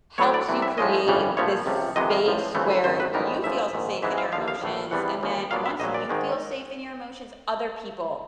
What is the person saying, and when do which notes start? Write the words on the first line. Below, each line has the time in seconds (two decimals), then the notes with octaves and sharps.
helps you create this space where you feel safe in your emotions, and then once you feel safe in your emotions, other people
0.18 A2 F#3 A3 D4 C#5
0.34 D5
0.49 C2 C3 E3
0.62 E5
0.77 A2 F3 G#3 C#4 D#5
1.07 G1 F2 C#3 E3 G3
1.37 A#1 A2 F3 A3 C#5
1.66 C#2 C3 F3
1.96 F2 C3 D#3 G#3 B3 D#5
2.11 F5
2.26 A1 A2 F3
2.55 D2 C#3 E3 A3 C4
2.84 G#1 F#2 D#3 C5
3.00 B4
3.14 A1 G#2 D#3 G3 B3 A#4
3.44 A1 G#2 F3 E5
3.73 A#1 G#2 D#3
4.02 G#2 E3 G#3 C4 E5
4.18 F5
4.32 D#2 D3 F3 F5
4.48 F5
4.62 A#1 A2 E3 A3
4.91 E2 C3 E3 G3 B3 F#5
5.21 D#2 C#3 F3
5.51 A#2 F#3 B3 D4 F5
5.66 E5
5.80 A#1 A#2 F#3 D#5
5.94 D5
6.09 G#2 D#3 G#3